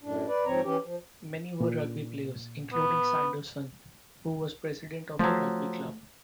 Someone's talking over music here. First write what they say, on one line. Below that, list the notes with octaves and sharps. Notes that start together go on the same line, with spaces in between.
Many were rugby players, including Sanderson, who was president of a rugby club.
F#2 A2 D4
B4 D5
G#2 F3 C4 C#5 A#5
E3 C#4 G4
F3
A#2
B3
F3 F#3 A3